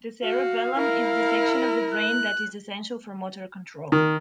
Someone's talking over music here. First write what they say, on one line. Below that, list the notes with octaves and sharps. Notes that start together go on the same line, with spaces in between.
The cerebellum is the section of the brain that is essential for motor control.
F#4 F5
E4 A#4
F#6
D#3